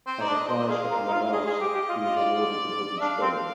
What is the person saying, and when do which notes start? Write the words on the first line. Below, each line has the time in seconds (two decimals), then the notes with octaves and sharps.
As a prize for coming last, he was awarded the wooden spoon.
0.07 C4 C5
0.21 D#4 D5
0.28 D4
0.35 D#5
0.48 C5 D#5
0.69 G#4 F5
0.90 A#4
1.08 D#4
1.12 F4
1.33 G#4 D#5
1.47 G#4
1.61 G4
1.74 G4
1.89 F4
2.02 F4
2.17 D5
3.01 D4 F5
3.22 C4